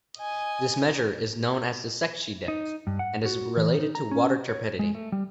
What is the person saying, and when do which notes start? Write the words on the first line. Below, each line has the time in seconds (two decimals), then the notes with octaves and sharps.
This measure is known as the Secchi depth and is related to water turbidity.
0.18 D#5 G#5
2.48 D#4
2.87 G2
2.99 F#5
3.26 F#4
3.57 E3
3.75 D#4
3.95 A#5
4.11 C#4
4.49 C#5
4.79 G#3
4.95 A3
5.12 G3